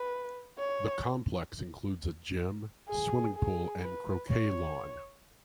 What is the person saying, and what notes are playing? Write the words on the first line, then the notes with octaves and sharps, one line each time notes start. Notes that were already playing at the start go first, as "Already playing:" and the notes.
The complex includes a gym, swimming pool and croquet lawn.
Already playing: B4
C#5
G#4
G#4
B4
C#5